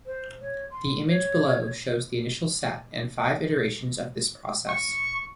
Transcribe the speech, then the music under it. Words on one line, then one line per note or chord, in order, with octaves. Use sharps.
The image below shows the initial set and five iterations of this process.
C5
C#5
C6
C#5
C#6